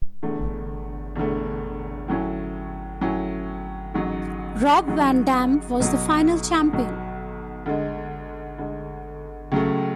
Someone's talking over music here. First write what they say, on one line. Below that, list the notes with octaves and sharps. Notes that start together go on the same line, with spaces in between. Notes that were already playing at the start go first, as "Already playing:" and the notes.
Rob Van Dam was the final champion.
E1 E2 D3 A3
E1 E2 D3 A3
A2 F#3 C#4 E4
A2 F#3 C#4 E4
A1 G#2 F#3
A1 G#2 F#3
B1 B2 F#3
B1 B2 F#3
D2 D3 G#3
D2 D3 G#3
C#2 C#3 F#3 A3